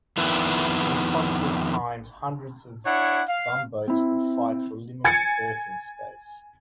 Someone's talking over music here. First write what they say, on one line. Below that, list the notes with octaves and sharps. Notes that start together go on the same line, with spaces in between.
In prosperous times, hundreds of bumboats would fight for limited berthing space.
F2 D#3 B3 E4
D4 E4 C#5 F#5
F5
C4 E4
G#5 G#6 A6 C#7